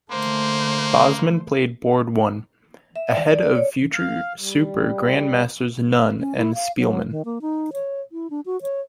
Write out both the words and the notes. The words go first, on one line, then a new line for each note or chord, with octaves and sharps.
Basman played Board One, ahead of future super Grandmasters Nunn and Speelman.
D3 A3 A#3 C5
E5
D5
D5
D5
C#5
F5
G3
C#4
E4
F5
F#3
D#3
A#3
D#4
C#5
E4
D4
F#4
C#5